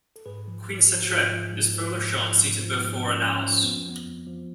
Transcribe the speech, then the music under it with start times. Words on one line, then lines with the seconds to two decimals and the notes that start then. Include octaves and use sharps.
Queen Sitre is further shown seated before a naos.
0.16 A4
0.26 G#2 G#4 B4
0.48 F3
0.68 G#2
0.89 F3
1.02 F#4
1.10 G#2 F4 G#4
1.32 F3
1.52 G#2
1.74 F3
1.94 G#2
2.16 F3
2.36 G#2
2.58 F3
2.79 G#2 B3
3.00 F3
3.07 C#4
3.21 G#2
3.35 C#4
3.42 F3
3.63 F2 B3
3.76 C#4
3.85 F3 B3
4.05 F2
4.27 F3